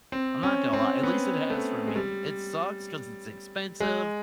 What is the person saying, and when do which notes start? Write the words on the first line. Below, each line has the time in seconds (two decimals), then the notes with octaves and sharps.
I'm not gonna lie. At least it has for me. It sucks 'cause it's expensive,
0.12 C4
0.43 C#4
0.73 C4
1.03 B3
1.50 A3
1.87 G#3
1.96 G3
3.80 G#3